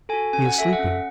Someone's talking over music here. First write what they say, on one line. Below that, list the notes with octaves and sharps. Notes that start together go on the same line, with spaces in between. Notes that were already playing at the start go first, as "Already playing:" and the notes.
He is sleeping.
F#4 A4 G#5
C#4 G#5
F#5
F#4 A4 E5
F#5
C#4